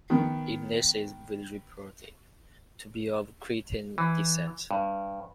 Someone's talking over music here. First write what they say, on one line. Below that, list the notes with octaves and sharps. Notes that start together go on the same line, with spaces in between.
Ignatius was reported to be of Cretan descent.
D#3 B3
E3
G2